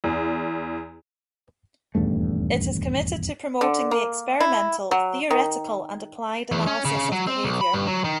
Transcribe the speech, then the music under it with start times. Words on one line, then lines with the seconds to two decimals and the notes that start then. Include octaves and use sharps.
It is committed to promoting the experimental, theoretical, and applied analysis of behavior.
0.04 E2
1.95 D#1 E2 G2 A3
3.61 D3
3.91 A#3
4.40 E4
4.91 F#3
5.30 D#3
6.52 E2
6.67 C#4
6.85 C#3
6.96 C#3
7.12 F#3
7.27 C4
7.44 B1
7.61 B5
7.73 G2
7.87 F#3
8.04 D#3